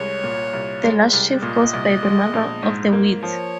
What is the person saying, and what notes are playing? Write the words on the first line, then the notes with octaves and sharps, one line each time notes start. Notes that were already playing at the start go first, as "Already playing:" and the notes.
The last sheaf goes by the Mother of the Wheat.
Already playing: C2 G#3 C#5
A#2
C2
G#3
C2
A#2 D#5
C2
G#3
A#1
G#2
A#3
F3 C#5